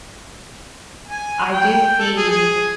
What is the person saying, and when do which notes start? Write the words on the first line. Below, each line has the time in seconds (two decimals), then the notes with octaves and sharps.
I do see,
1.08 G#5
1.53 G5
1.99 A4
2.16 G#4
2.30 G#4